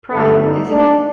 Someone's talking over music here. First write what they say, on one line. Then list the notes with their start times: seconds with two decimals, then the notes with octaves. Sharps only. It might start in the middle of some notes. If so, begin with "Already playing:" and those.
Prime, isn't it?
0.13 G1 F#2 D3 A3
0.43 D#4
0.71 D4